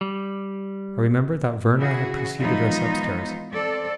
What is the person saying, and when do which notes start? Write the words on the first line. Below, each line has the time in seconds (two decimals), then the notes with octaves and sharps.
I remembered that Werner had preceded us upstairs.
0.01 G3
1.78 C#3 E3 E4 F#4 G#4
2.40 E3 F3 G#3 B3 D#4 F4
3.52 C4 A4 D5